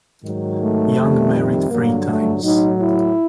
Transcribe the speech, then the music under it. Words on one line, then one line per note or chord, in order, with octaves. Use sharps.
Young married three times.
G#2 D#3 F#3
A3
F2 C3 D#3 G3
G2 D3 F#3 A#3
A3
A2 F#3 D#4
E4